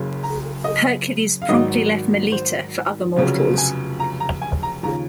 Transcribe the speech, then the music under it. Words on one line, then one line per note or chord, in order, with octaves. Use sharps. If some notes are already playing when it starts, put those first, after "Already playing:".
Hercules promptly left Melite for other mortals.
Already playing: F#1 F#2 C#3
A#5
D#5
F5
G#1 G#2 F#3 D#5
C5
F1 F2 C#3 F#3
G#5
A#5
A#5
G#5
A#5
D#2 C#3 F3 A#5